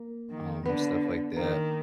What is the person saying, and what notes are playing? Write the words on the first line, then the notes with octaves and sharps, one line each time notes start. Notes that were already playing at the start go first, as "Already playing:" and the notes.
um, stuff like that,
Already playing: A#3
D#3
D3 B3
D#3 A#3